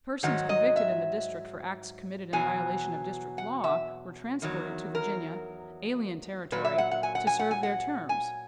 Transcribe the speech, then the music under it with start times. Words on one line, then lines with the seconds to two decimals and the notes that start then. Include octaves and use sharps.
Persons convicted in the District for acts committed in violation of District law were transported to Virginia-alien territory-to serve their terms.
0.23 G#2 D#3 F#3 F#5
0.49 D#5
0.76 E5
2.33 E2 B2 F#3 G#5
3.38 F#5
3.64 E5
4.42 E2 D#3 F#3
4.95 A#4
6.52 A#2 F#3 B4
6.65 E5
6.78 F#5
6.91 F#5
7.03 G#5
7.15 F#5
7.27 G#5
7.39 F#5
7.51 G#5
7.63 F#5
8.09 G#5